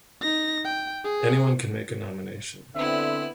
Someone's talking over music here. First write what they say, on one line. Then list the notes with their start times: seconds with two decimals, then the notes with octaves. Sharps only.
Anyone can make a nomination.
0.21 D#4 A#6
0.65 G5
1.04 G#4
2.76 D3 B3 C4 E4 E5